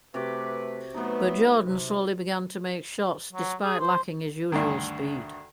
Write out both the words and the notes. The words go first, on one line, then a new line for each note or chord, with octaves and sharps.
But Jordan slowly began to make shots despite lacking his usual speed.
C3 A3 F#4 B4 D6
F#3 A3 B3 D#4 B4
C3
F#3
G#4
C5
D2 G2 D3 D#3